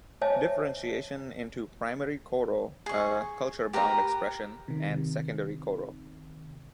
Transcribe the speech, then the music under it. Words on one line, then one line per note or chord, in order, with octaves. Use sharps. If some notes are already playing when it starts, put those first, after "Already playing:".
Differentiation into primary koro, a culture-bound expression, and secondary koro.
C5 C#5 D#5 E5 G#5 A5
G#4 C#6
G4 A#4 B4 A#5
C3 D#3